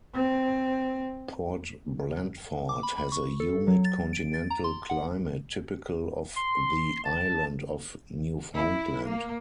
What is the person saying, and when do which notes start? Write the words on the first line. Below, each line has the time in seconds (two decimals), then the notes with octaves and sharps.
Port Blandford has a humid continental climate typical of the island of Newfoundland.
0.14 C4
2.69 D6
2.83 B5
2.98 B5
3.12 C#6
3.40 A4
3.68 F#3
3.85 A6
4.13 D7
4.34 A6
4.50 A#5
4.64 C6
4.90 F#5
6.36 C6
7.04 A5
8.54 E4
9.05 A#3